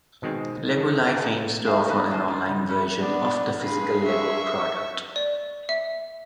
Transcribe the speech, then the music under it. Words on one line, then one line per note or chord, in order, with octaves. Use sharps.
Lego Life aims to offer an online version of the physical Lego product.
B2 D#3 G#3 C4
D#3 A5
F4 G4 G#4 A#4 E5 F#5
A#4 C5 E5 F5 G#5
G2 A3 B3 D#4 B4 A5
D#3 F4 D#5 A5
G#2 F4
C#3
F#3 G3 A3 C#4
B3 D4 D5
G2 F4 G#4 B4
E5 C#6
D5
E5